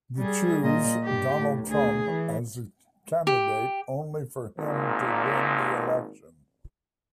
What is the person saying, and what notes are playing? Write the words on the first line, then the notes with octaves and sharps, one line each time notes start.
The choose Donald Trump as a candidate, only for him to win the election.
G3 G#4
A#2 D#5
G2 G4
A2
D2 G#4
E3
G4
G#1 A#2